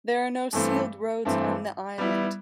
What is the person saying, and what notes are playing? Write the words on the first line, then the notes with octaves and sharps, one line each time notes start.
There are no sealed roads on the island.
G2 E3 A3 C4
G2 E3 A3 C4
G3 B3 E4